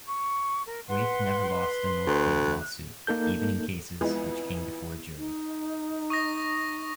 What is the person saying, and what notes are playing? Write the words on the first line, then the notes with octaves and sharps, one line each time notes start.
Wyeth never lost a Norplant lawsuit, even in cases which came before a jury.
C#6
A#4
B4 F#5 C6
D2 F#6
A#3 D#4 A4 G6
F2 E3 F3 G#3 B3 E4
D#4
C#6 D#6 A#6